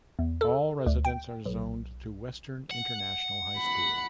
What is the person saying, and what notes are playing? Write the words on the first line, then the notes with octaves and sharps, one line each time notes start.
All residents are zoned to Western International High School.
E2
A4
D2
G5
B1
F#5
B5